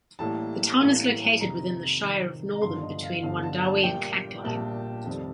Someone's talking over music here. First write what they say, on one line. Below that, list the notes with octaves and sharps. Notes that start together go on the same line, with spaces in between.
The town is located within the Shire of Northam, between Wundowie and Clackline.
A1 A2 G3 A#3 A5
A1 A2 G3 A#3
F2 C3 D#3 A#5
F2 C3 D#3
A#5
G1 G2 D3 F3 C6
D#5
F5
G1 G2 D3 F3 F5
A5
A5
A#1 A#2 G3 G5
A#1 A#2 G3 A5
F1 F2 D#3 G3 C4